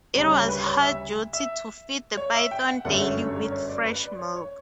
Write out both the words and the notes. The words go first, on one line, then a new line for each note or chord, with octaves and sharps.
It was her duty to feed the python daily with fresh milk.
D2 C#3 G3 C#5
C#5
B4
C#5
E5
E5
C#5
E5
G5
F#5
G1 F#2 D3 A3 C#4 F#5
C#5
C#5
C#5
C#5
D5
B4
D5
C#5
C#5